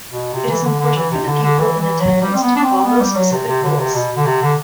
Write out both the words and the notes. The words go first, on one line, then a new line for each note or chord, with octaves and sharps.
It is important for the people in attendance to follow specific rules.
B2
C3
E3
D3
D3
E3
C3
D3
D3
E3
E3
F#3
G3
C4
B3
D4
C4
B3
G3
F#3
C3
C3
D3
C3
B2
D3
C3
D3